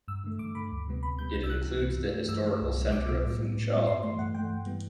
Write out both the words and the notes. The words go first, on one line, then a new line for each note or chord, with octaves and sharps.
It includes the historical centre of Funchal.
G2 E6
D3 A3
G2 D6
D3 A3 B5
D2
C3 G3 B3
D2 B5
C3 G3 B3 G6
C2 G6
E6
C3 E3 F#6
C2
C3 E3
G2
E3 A3
G2 E6
E3 A3
C2
B2 F#3 B3
C2 D6
B2 F#3 B3
A2
G3 B3
A2
G3 B3
G2 C6
E3 A3 C6
G2 F#5
E3 A3 G5
G2
E3 G3 B3